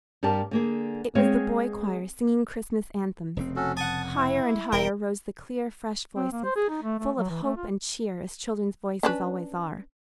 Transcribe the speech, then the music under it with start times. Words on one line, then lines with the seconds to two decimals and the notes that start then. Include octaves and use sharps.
It was the boy-choir singing Christmas anthems. Higher and higher rose the clear, fresh voices, full of hope and cheer, as children's voices always are.
0.23 G2 G4 A#4 D5 A5
0.51 D3 A#3 G#4
1.15 G#3 B3 C4 G#4 C#5 F5
3.37 F1 C#3 C4
3.56 C#4 F#4 A4
3.77 F#5 G#5 A5 D#6
4.17 E4
4.72 E1 A#4 G5
6.16 C4
6.32 A#3
6.44 C5
6.56 G#4
6.69 D#4
6.83 A3
6.99 A3
7.18 F#3
7.30 E3
7.43 A3
7.57 F4
9.03 C#4 D4 B4